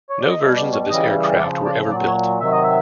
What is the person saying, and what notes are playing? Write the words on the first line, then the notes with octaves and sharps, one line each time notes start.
No versions of this aircraft were ever built.
C#5
D5
D#5
B2 G3 E5
D5
C#5
C#3 E3 G3 D#5
C#3 F3 D5
D5
A#2 F#3 D5
C#5
C3 D#3 F#3 E5
D#5
E5